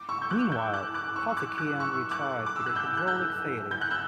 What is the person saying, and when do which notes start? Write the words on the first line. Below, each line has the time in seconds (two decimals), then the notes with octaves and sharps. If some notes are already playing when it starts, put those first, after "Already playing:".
Meanwhile, Karthikeyan retired with a hydraulic failure.
Already playing: D6
0.09 C#6 E6
0.22 G6
0.30 D6 F#6
0.52 E6 G6
0.73 D6 F#6
0.94 D6 F#6
1.16 C#6 E6
1.37 D6 F#6
1.58 D6 F#6
1.80 C#6 E6
2.11 D6 F#6
2.46 D6
2.56 E6
2.66 F#6
2.75 E6 G6
2.97 F#6
3.08 E6 G6
3.71 G6
3.81 F#6
3.91 E6 G6